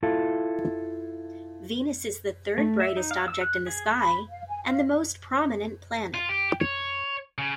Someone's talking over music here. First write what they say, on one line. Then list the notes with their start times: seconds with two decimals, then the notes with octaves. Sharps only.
Venus is the third-brightest object in the sky and the most prominent planet.
0.03 E4 F4 A4
2.58 A3
2.80 E5
2.97 D#4
3.11 F5
3.28 E6
3.41 F#6
3.66 G#4
3.99 B5
4.29 F5
4.49 G#5
4.65 F5
6.14 F4
6.29 G4
6.61 C#5
7.38 C#3